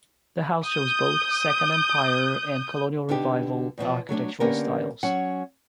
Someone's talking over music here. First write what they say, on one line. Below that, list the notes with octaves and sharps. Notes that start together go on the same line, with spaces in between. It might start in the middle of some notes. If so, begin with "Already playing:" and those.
The house shows both Second Empire and Colonial Revival architectural styles.
D#6 G6
D3 B3 D4 D#4 G4
E2 B2 D#3 F3
F#3 A3 C4 D4
D3 A#3 B3 C#4 G4 A#4
F#3 C#4 F#5